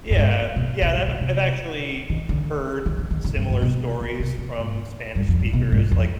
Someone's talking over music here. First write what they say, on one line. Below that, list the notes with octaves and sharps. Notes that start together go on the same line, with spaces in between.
Yeah. Yeah, and I've I've actually heard similar stories from Spanish speakers, like,
G2
G#2
B2
B2
G#2
B2
C3
D#3
D3
D#3
D3
D#3
D3
G2
G#2
B2
D3
C3
B2
G#2
G2
F2
G2
B2
G#2
F2